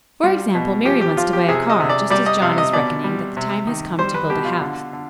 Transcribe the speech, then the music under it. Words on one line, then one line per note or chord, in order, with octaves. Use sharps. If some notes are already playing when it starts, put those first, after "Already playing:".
For example, Mary wants to buy a car, just as John is reckoning that the time has come to build a house.
G3 F4
B2
F3 G4
G4
F3 F4
G4
C3 G#4
D#5
C3
D5
G3 D5
D#5
C3 F5
D#5
B2 D5
G3
C3
D#3
G3 C5
B4
B2 G4
F4
D3
D3